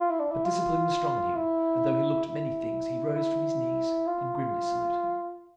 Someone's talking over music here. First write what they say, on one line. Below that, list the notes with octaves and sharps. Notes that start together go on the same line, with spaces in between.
But discipline was strong in him, and though he looked many things, he rose from his knees and grimly saluted.
F4
E4
D4
E4
F4
E4
E4
E4
F4